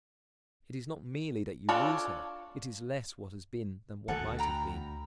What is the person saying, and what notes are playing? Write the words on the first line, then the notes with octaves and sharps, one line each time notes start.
It is not merely that you lose her, it is less what has been than what might have been.
D4 F4 A4 C#5 D5
D2 A4 F#5 G#5
G5 A#5 B5